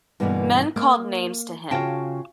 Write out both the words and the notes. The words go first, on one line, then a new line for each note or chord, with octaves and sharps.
Men called names to him.
G2 B2 D3 E3 A#3 B3
A#3
C#3 F4 F#4 G5 A5